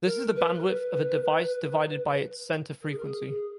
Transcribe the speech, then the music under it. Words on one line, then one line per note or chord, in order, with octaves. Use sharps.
This is the bandwidth of a device divided by its center frequency.
A#4
B4
A#4
B4
A#4
G#4
A#4
G#4
G#4